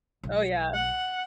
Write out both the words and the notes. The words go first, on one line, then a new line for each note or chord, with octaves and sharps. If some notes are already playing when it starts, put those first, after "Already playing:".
Oh, yeah,
B1
F#5